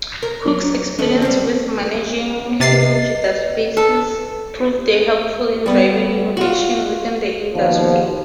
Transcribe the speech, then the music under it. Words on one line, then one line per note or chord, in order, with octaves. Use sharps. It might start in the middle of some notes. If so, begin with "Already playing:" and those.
Cook's experience with managing huge databases proved helpful in driving innovation within the industry.
A#4
F#3
D#2 A3 C#4
G3 C4
C3 B4 D#5 A6 C7
A4
G3 B3
F4 F#4
D#2 B2 F3